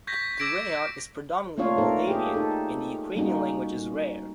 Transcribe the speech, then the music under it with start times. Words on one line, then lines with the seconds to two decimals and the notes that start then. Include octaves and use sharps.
The raion is predominantly Moldavian and the Ukrainian language is rare.
0.07 C#6 G6 G#6 A#6 B6
0.39 D6 E6 G#6 A#6 D7 E7
0.78 G#6
1.58 A3 A#3 D4 F4 C#5 F5
1.78 A#3 B3 D#4 A4 A#4
2.07 G4 G#4
2.34 D#4 A4
3.15 G3 A#3 C#4 D#4 F#4